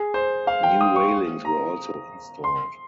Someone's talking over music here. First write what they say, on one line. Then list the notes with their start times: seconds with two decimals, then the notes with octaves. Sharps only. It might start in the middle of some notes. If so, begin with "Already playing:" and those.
New railings were also installed.
Already playing: G#4
0.14 C5
0.47 F5
0.63 G5
0.81 D#6
0.96 C#6
1.45 A#5
2.44 C6